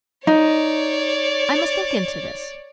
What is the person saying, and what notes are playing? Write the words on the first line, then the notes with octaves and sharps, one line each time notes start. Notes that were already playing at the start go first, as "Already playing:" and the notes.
I must look into this.
D#4 C#5 D5